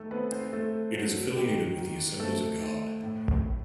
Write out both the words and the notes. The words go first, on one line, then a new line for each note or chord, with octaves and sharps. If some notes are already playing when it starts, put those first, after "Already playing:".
It is affiliated with the Assemblies of God.
Already playing: D#3 A3 A4
B3 C4 B4
C4 C5
A3 A4
F#3
D#3 G4
D#3
A3 C4 A4
A3
A2
A2